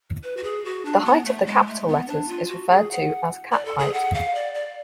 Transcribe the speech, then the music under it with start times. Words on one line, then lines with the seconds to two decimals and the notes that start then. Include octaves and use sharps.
The height of the capital letters is referred to as Cap height.
0.23 B4
0.37 F#4
0.43 G#4
0.65 F#4
0.85 D4
1.05 B3
1.25 A3
1.46 G#3
1.67 A3
1.87 B3
2.08 D4
2.28 F4
2.49 F#4
2.70 G#4
2.91 F#5
3.52 D5
3.65 A4
3.79 G#4
3.93 F#5
4.14 F5
4.35 D5
4.54 D5